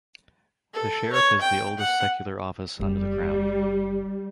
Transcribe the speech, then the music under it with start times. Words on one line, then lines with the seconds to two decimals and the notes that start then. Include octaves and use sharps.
The Sheriff is the oldest secular office under the Crown.
0.73 A4
1.13 C#5
1.41 G5
1.79 F#5
2.80 F#1 G3